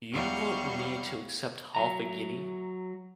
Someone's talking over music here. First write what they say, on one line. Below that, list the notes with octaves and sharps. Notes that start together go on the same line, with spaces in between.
You want me to accept half a guinea?
E2 F#3 G3 F5 C#6
F#3 E5 A#5